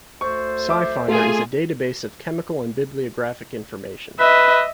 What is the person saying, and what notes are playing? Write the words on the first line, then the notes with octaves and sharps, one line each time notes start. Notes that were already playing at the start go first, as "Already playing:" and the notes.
SciFinder is a database of chemical and bibliographic information.
D2 A4 C5 C#6
E5 D6
A3 F4 G#4 G#5
B4 D#5 E5